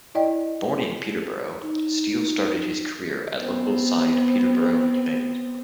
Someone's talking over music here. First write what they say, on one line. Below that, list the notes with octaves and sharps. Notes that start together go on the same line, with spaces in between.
Born in Peterborough, Steele started his career at local side Peterborough United.
E4 D5 D#5 G5
D#4
B3 C4